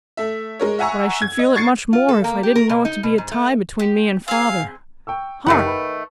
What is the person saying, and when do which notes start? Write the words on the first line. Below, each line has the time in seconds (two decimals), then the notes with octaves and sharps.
But I should feel it much more, if I didn't know it to be a tie between me and father.--Hark!
0.17 A3 E5
0.59 G#3 A#4 C#5
0.79 E5 F#5 G#5 A#5 C#6 E6
1.22 G#6
1.39 D#5
1.55 C#6 G#6 A6 C7 C#7
1.93 F4
2.09 A4
2.24 A#3
2.43 G4
2.55 A#4
2.69 B2
2.85 D#4
3.03 B2
3.18 G#2
3.32 A3
3.79 G4
4.28 C4 G#4 F5 G#5
5.07 G5 C#6 E6
5.46 F#1 D#3 A3 G4 F#5
5.66 B4 B5